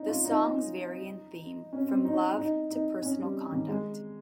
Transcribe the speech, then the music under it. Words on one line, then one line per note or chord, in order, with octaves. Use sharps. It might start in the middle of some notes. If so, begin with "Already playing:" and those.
The songs vary in theme from love to personal conduct.
Already playing: C#4 D#4
F4
D#4
C#4
C4
D#4
D#4
D#4
C#4
G3
D#3
G#3